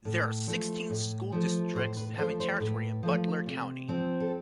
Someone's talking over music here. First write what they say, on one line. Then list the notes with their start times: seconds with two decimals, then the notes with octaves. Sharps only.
There are sixteen school districts having territory in Butler County.
0.05 A2
0.47 F3 A3
0.90 A2
1.32 F3 A3
1.75 A2 C5
1.97 B4
2.17 F3 A3 C5
2.40 C5
2.60 A2 B4
3.03 F3 A3
3.46 C3
3.88 F3 C4
4.20 A4